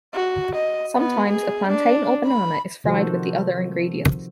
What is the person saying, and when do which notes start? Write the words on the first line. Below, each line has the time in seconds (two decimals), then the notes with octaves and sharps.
Sometimes a plantain or banana is fried with the other ingredients.
0.14 F#4
0.55 D#5
0.97 B3
1.29 G#4
1.68 D4
2.26 B5
2.84 C3 D#3 F3 F#4 A4 C5